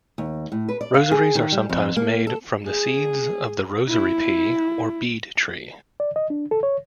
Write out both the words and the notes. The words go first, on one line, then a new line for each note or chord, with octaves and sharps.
Rosaries are sometimes made from the seeds of the "rosary pea" or "bead tree".
D#2
A2
B4
D5
F5
G#4
D#3
G3
F2
A#3
A4
G#4
E4
D5
D#5
D4
A4
C#5